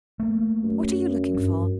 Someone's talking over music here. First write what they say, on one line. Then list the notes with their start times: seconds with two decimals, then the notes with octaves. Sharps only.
What are you looking for?
0.19 A3 A#3
0.64 F#2
1.34 G2